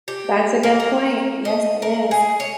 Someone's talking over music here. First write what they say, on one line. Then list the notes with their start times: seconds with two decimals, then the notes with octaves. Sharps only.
That's a good point. Yes, it is.
0.08 G4
0.63 A#3
0.80 A#4
1.45 D#5
1.82 A#4
2.11 G#4
2.40 C#5